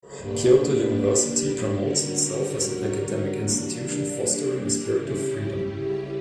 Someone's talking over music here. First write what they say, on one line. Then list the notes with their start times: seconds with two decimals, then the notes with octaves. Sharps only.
Kyoto University promotes itself as an academic institution fostering a spirit of freedom.
0.18 A#2 A#3 D4 G4 B4
1.78 D3 G3 C#4 F#4 A#4
3.39 E3 G3 A#3 D4
4.99 C#3 G3 C#4 E4 G4